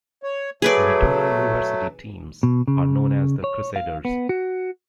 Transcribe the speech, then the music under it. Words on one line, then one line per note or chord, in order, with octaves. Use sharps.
Madonna University teams are known as the Crusaders.
C#5
F#3 A3 G#4 B4 D5
B2
C#3
C#5
F5
B3
F#4